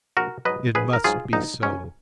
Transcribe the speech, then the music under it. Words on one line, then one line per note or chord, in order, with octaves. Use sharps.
It must be so.
A#1 F#4 A#4
G#2 F#3 B4 D#5
A#1 G#4 B4
A#4
G#2 F#3 F4 G#4
A#1 D#4
G#2 F#3 C#4